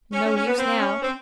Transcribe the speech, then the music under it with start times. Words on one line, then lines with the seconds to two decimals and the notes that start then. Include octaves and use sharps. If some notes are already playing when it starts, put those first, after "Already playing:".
No use now.
0.13 C#4
0.24 C#4
0.36 C#4
0.47 B3
0.58 C4
0.80 C#4
1.03 C4